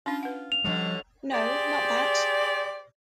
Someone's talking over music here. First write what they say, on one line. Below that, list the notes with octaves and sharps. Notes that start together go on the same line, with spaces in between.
No, not that!
C#4 D4 F4
B4 F#5
F7
B2 D3 F3 G3 C#4
G4 G#4 C5 D5